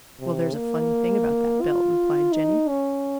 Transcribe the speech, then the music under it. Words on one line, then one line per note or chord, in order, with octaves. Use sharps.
"Well, there's a funny thing about that bill," replied Jenny.
C3
A#3
F4
D#4
C#4